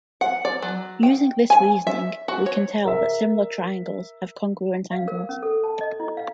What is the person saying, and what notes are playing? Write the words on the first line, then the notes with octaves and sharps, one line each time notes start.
Using this reasoning we can tell that similar triangles have congruent angles.
F#5
D5
F#3
G5
G#5
E5
F#4
C#5
A#4 E5
F5
A#4
C#4
A4
A5
D#5
E4
F5